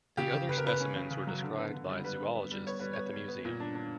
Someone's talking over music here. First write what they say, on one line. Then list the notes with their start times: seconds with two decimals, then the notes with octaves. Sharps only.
The other specimens were described by zoologists at the museum.
0.17 C#3 G4
0.33 C#3
0.49 C#3 B4
0.58 A#4
0.64 C#3 B4
0.80 C#4
0.96 C#3
1.10 C#3
1.27 F#3
1.42 D3
1.57 B3
1.74 D3
1.89 G3
2.04 G3 B4
2.20 B3
2.35 B3
2.51 G3
2.66 B3 C#5
2.79 G3 B4
2.93 B3 C#5
3.13 G3
3.28 B3
3.45 A#2
3.60 D4
3.75 D4